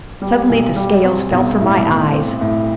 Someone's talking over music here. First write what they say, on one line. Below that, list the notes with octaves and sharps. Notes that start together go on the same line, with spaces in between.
Suddenly the scales fell from my eyes.
G3
B1
G3
C4
B1
A2
B1
C4
A2